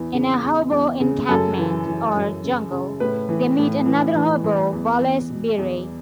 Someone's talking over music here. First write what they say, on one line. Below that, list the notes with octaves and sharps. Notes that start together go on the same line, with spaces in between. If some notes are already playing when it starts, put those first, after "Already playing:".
In a hobo encampment, or "jungle," they meet another hobo, Wallace Beery.
Already playing: E2 E3
C#3
E2
E2
C#3
F#2 A4
E3
E3
F#2
C#3
C#3
A2 B4
E3
A2
E3
E3
E3
E2
E2
B2
E2